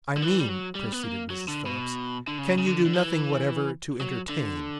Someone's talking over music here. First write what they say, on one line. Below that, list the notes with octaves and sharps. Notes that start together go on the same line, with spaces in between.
"I mean," proceeded Mrs. Phillips, "can you do nothing whatever to entertain?"
D3
E3
G3
F#3
G3
B3
A#3
F#3
D3
B2
D3
C#3
C#3
D3
D3
E3
F#3
D3